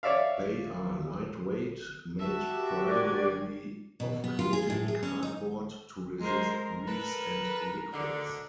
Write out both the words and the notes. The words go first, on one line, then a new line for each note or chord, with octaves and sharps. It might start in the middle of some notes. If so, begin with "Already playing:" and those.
They are lightweight, made primarily of coated cardboard to resist grease and liquids.
C#5 D5 E5 F5
F#4 E5 A5
G4
A#4 D5 G#5
B2
B3
F4
G#4
A2
G#4
C#4
D#4
G#3 A#4 C5
A#4
A4 B4
D2 G#2 D3